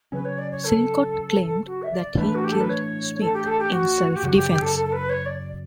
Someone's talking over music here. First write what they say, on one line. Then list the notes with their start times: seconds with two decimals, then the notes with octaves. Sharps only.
Silcott claimed that he killed Smith in self defence.
0.12 C#3 F#3 C#4 B4
0.25 C#5
0.38 D5
0.51 C#5
0.64 A4
1.66 F#4
1.82 E5
1.92 D5
2.17 A2 E3 A3 D4 B4
2.35 F#4
2.44 G4
2.52 A4
2.60 B4
2.69 C#5
3.20 A4
3.33 G4
3.46 A4
3.59 G4
3.72 F#4
4.16 G4
4.23 F#2 C#3 F#3 F#4
4.36 G4
4.49 G4
4.61 A4
4.75 A4
4.85 A4
4.92 B4
5.09 C#5
5.25 D5